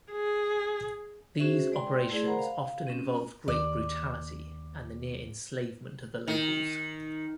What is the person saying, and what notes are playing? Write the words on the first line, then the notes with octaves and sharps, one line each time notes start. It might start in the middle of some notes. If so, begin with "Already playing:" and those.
These operations often involved great brutality and the near enslavement of the locals.
G#4
C#4 F#4 G#4 C5 E5
G#3 D5 G5 C6
A3 E4 G#4 D5 C6
A#4 C5 F#5 A#5 B5
F5
C4 C#4
D#2 D5
D#3